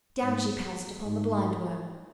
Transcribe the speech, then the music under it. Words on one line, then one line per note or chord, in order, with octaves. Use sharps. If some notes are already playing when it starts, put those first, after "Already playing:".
Down she pounced upon the Blindworm.
G#2
G#2